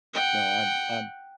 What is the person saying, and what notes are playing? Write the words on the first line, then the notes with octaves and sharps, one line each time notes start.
No, I'm I'm
F#5 G5